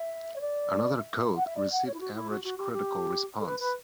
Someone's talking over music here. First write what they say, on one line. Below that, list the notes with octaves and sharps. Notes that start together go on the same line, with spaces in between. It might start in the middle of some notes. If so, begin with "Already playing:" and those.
"Another Code" received average critical response.
Already playing: E5
C#5
D5
E5
F#5
E5
D5
F#5
C#5
E4
F#4
E4
F#4
F#4
G4
G4
A4
B4
B4